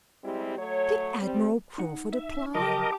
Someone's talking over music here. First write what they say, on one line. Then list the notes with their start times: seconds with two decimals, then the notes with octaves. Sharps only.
Did Admiral Crawford apply?
0.24 G3 G#3 C4 E4 G4
0.58 F#3 A3 C#5
1.22 G3 C4
1.78 D#4 F#5
2.12 E5
2.55 C#3 F3 F#3 G4 A#4 D#5 A5 D6